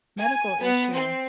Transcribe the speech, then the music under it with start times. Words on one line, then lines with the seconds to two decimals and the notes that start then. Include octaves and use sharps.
medical issue.
0.19 G#5
0.61 B3
0.92 C4